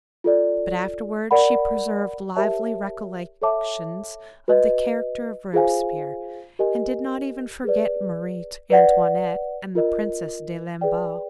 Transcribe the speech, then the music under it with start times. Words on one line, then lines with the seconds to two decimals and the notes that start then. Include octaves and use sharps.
But afterward she preserved lively recollections of the character of Robespierre, and did not even forget Marie Antoinette and the Princess de Lamballe.
0.24 F4 A4 D5
1.31 A#4 D5 F#5 B5
2.36 G4 A#4 C#5 E5 A5
3.42 A4 C#5 E5 A5 D6
4.48 F#4 B4 D#5
5.53 F4 G#4 C5 F5 G#5
6.59 G4 A#4 D#5 G#5
7.64 G#4 B4 D5
8.70 B4 D5 F#5
9.75 F4 A#4 D#5
10.81 G#4 B4 D5 G5